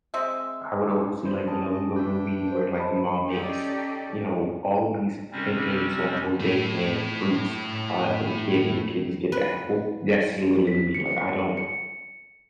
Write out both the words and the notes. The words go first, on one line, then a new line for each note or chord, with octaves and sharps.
I would always see, like, you know, in those movies where, like, the mom makes, you know, all of these pancakes, waffles, bacon, fruits, all that for the kid, and the kid just get the apple. That's literally me, like, I don't
G#3 C4 E5
E4 C5 D5
C#4 D#5 A5
D4 B4 E5 G5
C5
C4 D#5 A5 B5
C#4 D#4 G4 A4 D5
C3 G3 C4 C#4
A3 E4
B4
B6
C#7
C#7